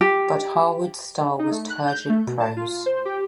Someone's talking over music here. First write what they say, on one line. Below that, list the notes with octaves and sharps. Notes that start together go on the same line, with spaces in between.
But Harwood's style was turgid prose.
G4
D#4
A3
F#6
G6
A3
B2
A5
F4
C5
G4